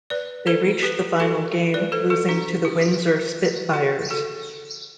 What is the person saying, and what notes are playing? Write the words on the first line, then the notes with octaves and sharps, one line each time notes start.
They reached the final game, losing to the Windsor Spitfires.
B4 D5
A4 C5
G4 B4
F#4 A4
B4 D5
A4 C5
F#4 A4
D4 F#4
E4 G4
F#4 A4
F#4 A4